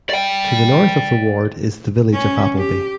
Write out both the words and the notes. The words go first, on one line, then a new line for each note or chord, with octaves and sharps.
To the north of the ward is the village of Appleby.
D5 G5
C#4
G4